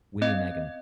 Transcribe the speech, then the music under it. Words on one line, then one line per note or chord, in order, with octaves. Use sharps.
William Egan.
C4 D#5